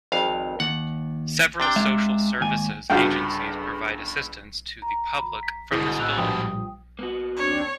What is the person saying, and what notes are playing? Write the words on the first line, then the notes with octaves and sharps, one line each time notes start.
Several social services agencies provide assistance to the public from this building.
G#1 F2 F5
D#2 F#5
C3 D4 G5
G#3 E5 F5
D#2 G#2 G#5
G1 G2 C#3 F#4 F5 G5
A#5
G1 B5
B6
G1 G#2 B2 E4 G#4 D#6
A2 E6 F#6 F7
G2 A#2 F3 G5 D#6
A#3 B3 F#4
D#2 C4 D4 C#5